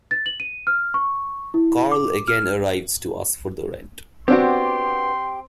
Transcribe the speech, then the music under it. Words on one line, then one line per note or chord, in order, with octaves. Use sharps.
Karl again arrives to ask for the rent.
A6
F#7
D#7
F6
C#6
E4
D6
F6
B3 C4 D4 F#4 G4 C6